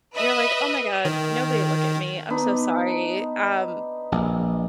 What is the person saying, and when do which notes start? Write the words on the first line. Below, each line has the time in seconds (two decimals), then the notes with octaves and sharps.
You're like, "Oh my god, nobody look at me. I'm so sorry. Um,
0.14 B4 D#5 E5
1.05 D#3
2.30 B3 D4 D#4
4.12 A#1